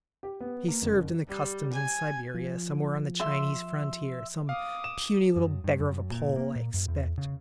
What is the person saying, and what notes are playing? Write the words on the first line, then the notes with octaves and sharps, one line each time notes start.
He served in the customs in Siberia, somewhere on the Chinese frontier, some puny little beggar of a Pole, I expect.
G4
B3
A#3
F#1
G3
G#5
F3
E5 C6
F5 D6 D#6
E7
F#2
G2
F#2
A#2
A#3
A#2
F#2
E2
C#3